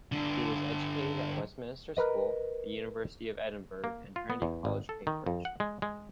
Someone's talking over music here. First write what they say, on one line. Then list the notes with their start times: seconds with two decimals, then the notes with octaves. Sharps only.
He was educated at Westminster School, the University of Edinburgh, and Trinity College, Cambridge.
0.12 G2 D3
1.97 A#4 B4 D#5
3.84 A#3
4.16 F4
4.30 B3
4.42 E2
4.65 G#1
4.89 A4
5.07 D#3
5.26 F2
5.45 F#5
5.60 G#3
5.82 G#3